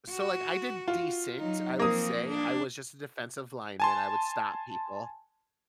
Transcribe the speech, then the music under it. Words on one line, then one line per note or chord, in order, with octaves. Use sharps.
So, like, I did decent, I would say, I was just a defensive lineman, I would stop people.
F#4
F4
F#3 D#4
F3 A#3 C4 D#6
D4
G#5 A5 C6